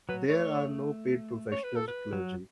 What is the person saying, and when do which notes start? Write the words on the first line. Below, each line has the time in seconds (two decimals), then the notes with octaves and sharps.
There are no paid professional clergy.
0.09 F#3 B4
0.29 A3 C#5
1.52 C#5
1.64 B4
1.76 A4
1.88 B4
2.13 F#3